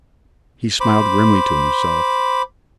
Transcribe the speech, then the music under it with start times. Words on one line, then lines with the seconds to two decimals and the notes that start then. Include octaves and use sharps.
He smiled grimly to himself.
0.80 C5 B5 D6